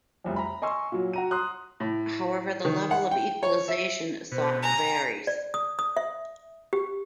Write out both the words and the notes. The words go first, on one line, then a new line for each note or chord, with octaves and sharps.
However the level of equalisation sought varies.
F1 C2 F2
A#5 B5
D#5 G#5 C6 C#6 E6
A#2 F#3
F#4 A#5 D#7
A#5 C6 D#6 F#6
A2
D#3
F#5
G5
C#5
E5
B2 C5
G#5 A#5
D5
D#6
D#6
E5
G4